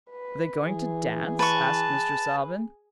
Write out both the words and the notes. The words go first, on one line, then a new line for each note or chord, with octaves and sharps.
"Are they going to dance?" asked Mr. Salvin.
B4
E3 G#4
B4 A5 C#6